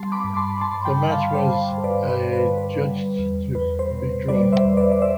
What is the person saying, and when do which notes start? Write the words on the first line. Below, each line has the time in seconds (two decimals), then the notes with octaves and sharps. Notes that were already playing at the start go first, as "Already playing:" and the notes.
The match was adjudged to be drawn.
Already playing: G3 A5 C6
0.12 B5 D6
0.24 G2
0.36 A5 C6
0.61 G2 A5 C6
0.85 G5 B5
0.98 D3
1.10 F5 A5
1.35 G3 C5
1.72 G2
1.84 B4 D5
2.08 G2 B4
2.33 B4
2.45 D3
2.58 B4
2.82 G3
3.19 E2
3.55 E2 B4
3.79 C5
3.91 B2
4.28 G3 B4 D5
4.52 C5 E5
4.65 E2
4.77 B4 D5
4.92 D5
5.02 C5 E5